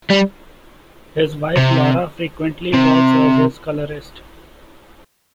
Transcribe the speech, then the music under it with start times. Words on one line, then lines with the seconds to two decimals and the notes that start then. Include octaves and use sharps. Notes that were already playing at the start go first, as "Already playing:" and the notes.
His wife, Laura, frequently works as his colorist.
0.11 G3
1.57 C3
2.74 C3